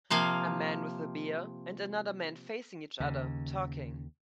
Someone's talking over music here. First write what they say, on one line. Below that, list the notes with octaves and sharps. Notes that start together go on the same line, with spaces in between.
A man with a beer and another man facing each other, talking.
C3 F3 A#3 F5 G#5
D#2 C#3